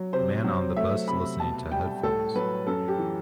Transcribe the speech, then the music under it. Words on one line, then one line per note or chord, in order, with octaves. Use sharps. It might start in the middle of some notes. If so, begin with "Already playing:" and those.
Man on the bus listening to headphones.
Already playing: F#3
C3 C5
F#3
A3 E5
C3 B5
B2 A5
G3 G5
A2 A4
F#3 B4
F#2 A4
G4
E3